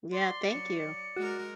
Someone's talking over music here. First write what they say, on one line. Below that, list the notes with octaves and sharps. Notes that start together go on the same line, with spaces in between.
Yeah, thank you,
D5 C6
F#3 C#7
G#3 F#4 A#4